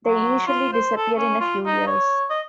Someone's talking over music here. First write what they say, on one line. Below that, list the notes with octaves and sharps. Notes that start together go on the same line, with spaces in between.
They usually disappear in a few years.
F#3
F4
C5
A4
C#4
F4
D#4
C#5
D#5